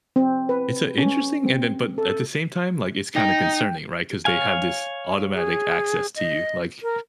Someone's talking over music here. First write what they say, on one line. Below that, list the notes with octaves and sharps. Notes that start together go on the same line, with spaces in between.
It's, uh, interesting, and then but at the same time, like, it's kinda concerning, right, 'cause they have this automatic access to you, like
C4
B4
C#4
C4
A4
D#4 G5
C#5 F5 G#5
G#4
D#5
A#4